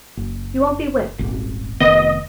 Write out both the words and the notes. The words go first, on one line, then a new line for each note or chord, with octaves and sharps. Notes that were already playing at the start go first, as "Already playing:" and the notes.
You won't be whipped.
F#1
D#1 G#1
F1 D#3 B3 D#5